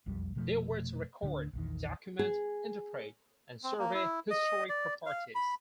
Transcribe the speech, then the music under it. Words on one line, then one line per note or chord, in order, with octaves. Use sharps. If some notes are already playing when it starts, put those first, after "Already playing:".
They were to record, document, interpret, and survey historic properties.
E1 B1 F2 G3
F1 B2 F3 A3
D1 D3 C#4 D4
A#1 E2 D#3
G#4
C4
A#3
E4
D#5
D5
F5
B5